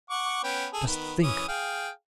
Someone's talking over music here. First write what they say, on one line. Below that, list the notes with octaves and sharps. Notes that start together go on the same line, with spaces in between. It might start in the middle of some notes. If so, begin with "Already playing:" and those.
Just think!
F#5 C#6 D6
B3 C#4 G5
G#4 A4
D#3 B3
E3 C#4 D#6
G#4 F5 G5